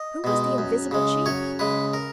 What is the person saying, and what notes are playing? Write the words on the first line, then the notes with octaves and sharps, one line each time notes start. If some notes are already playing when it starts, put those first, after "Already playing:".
Who was the invisible chief?
Already playing: D#5
B2 G#3
F#2
C#3 G#3
F#2 C#5
C#3 G#3 B4
A#4